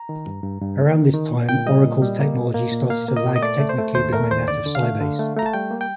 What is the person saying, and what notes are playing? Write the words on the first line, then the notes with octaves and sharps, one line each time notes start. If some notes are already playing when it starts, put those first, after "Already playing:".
Around this time, Oracle technology started to lag technically behind that of Sybase.
Already playing: A#5
D#3
G2
G2
G2
A#3
D#3
D#3
A#2
A#2 G5
G3 D#5
A#2
G3
A#3
A#2
A#3
A#2
A#3 F5
A#3
D#5
A#2
D#5
A3 D5
A3
C5
A3
D#2 C5
A3 A#4
D#2 C5
D3 D5
D3
F5
A3
D3
A3
A3 A#5
A5
G3 G5
A#3
G5